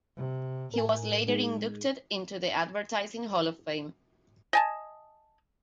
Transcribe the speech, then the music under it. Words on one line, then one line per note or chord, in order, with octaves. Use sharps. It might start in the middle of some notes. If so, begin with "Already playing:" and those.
He was later inducted into the Advertising Hall of Fame.
C3
A2 A#4 G#5
G#3 D#4 G#4
D#5 G#5 A5